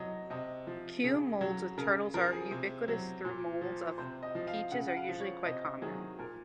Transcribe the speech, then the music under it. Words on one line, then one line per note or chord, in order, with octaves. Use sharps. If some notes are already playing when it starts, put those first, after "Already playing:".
Kue moulds with turtles are ubiquitous, though moulds of peaches are usually quite common.
Already playing: C3 F#3 D#5
C3 D#5
F3
C#3
F#3
C#3 A#4
F3 A#4
G#4
C3
F#3
A#2
F3
C3 C5
D#5
F3
F5
C#3 F#5
F#5
F5
F3
C#5
C3 D#5
D#3 F#3 G#4
A#2 A#4